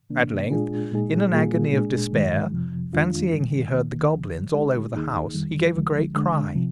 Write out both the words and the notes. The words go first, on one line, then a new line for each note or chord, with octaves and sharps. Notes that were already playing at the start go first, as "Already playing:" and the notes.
At length in an agony of despair, fancying he heard the goblins all over the house, he gave a great cry.
C3 D#3 A#3 D4
A#2 G#3 D4 F4 G#4
A#2 G#3 D#4 G#4
A#2 G3 A#3 F4 G#4
A#2 G#3 D4 G#4
G#2 D#3 G#3
F2 C3 F3
F2 D#3 G#3 D4 F4
G#2 D#3 G3
D#2 D#3 A#3
D2 D3 F3
D3 G#3 D#4 G4
D#2 D#3 A#3 D#4 G#4
F2 D#3 G3
D2 D3 F3 G#3
D3 G#3 D4
C3 F3